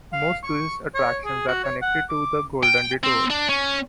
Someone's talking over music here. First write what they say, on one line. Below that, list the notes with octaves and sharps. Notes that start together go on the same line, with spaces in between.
Most tourist attractions are connected to The Golden Detour.
F5
C#6
C#5
G#4
F#4
C#5
F#5
D6
G5
C4
D4
C#4